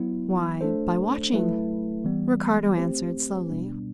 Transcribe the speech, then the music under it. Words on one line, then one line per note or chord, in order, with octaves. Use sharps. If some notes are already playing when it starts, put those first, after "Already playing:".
"Why, by watching," Ricardo answered slowly.
Already playing: F#3 B3 E4
A3 D4 A4 C5
F#3 A3 E4 B4
E3 G3 B3
A3 C4 G4 C5
B2 G3 B3 D4